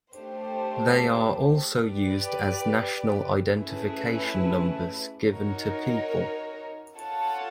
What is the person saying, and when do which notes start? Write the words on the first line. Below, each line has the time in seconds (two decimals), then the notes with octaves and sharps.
They are also used as national identification numbers given to people.
0.14 A3 D4 G4 C5
1.84 G4 B4 D5
3.55 A3 C#4 E4 G#4 B4
5.26 D#4 F#4 A#4 C#5
6.97 F4 A4 C#5 F#5 A5